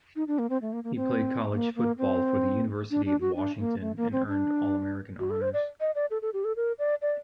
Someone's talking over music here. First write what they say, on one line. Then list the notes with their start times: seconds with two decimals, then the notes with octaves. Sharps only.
He played college football for the University of Washington, and earned All-American honors.
0.16 D#4
0.28 D4
0.39 A#3
0.50 C4
0.62 A3
0.73 A#3
0.84 A#3
0.96 C4
1.53 A#3
1.76 A#3
1.98 C4
2.91 D4
3.05 D4
3.21 F#4
3.36 D4
3.59 A#3
3.81 A3
3.97 A#3
4.12 C4
4.28 D4
5.20 F#4
5.30 A4
5.42 C5
5.53 D5
5.81 D#5
5.95 D5
6.11 A4
6.22 A4
6.33 G4
6.44 A4
6.56 A#4
6.79 D5
7.02 D5